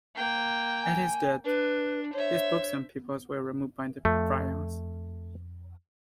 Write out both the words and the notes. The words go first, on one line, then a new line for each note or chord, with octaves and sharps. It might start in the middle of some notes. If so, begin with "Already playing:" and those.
At his death, his books and papers were removed by the friars.
A#3 G5
G#5
D4 B4
C5 C#5 E5
F2 A3